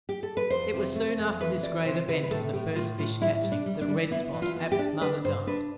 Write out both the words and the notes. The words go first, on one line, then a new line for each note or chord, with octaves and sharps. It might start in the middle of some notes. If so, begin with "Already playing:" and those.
It was soon after this great event of the first fish-catching that Red-Spot, Ab's mother, died.
G4
A4
B4
F2 C5
C3
A3
F2
E3 B4
F2 D5
C3 C5
C3 B4
B4
A2 A4
A2 G4
A2 F4
A2 F4
G3 E4
G3
D4
G3
D4
G3
B3 E4
E3
F4
B3
G4
D4
D4 B4
G2 C5
D4 B4